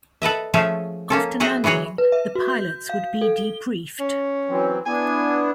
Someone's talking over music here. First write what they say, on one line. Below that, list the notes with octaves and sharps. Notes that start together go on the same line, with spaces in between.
After landing, the pilots would be debriefed.
A4 B4 D#5 E5
F3 A3 C#4 G#4 E5 F5
A#3 C#4 A4
F#4 G#4 C5 E5 A#5
E3 F#3 F#4 G#4 C#5
B4
E5
F#4
G6
F5
A4
G7
C#4
E3 F#3 C4
B3 D4 E4 G#5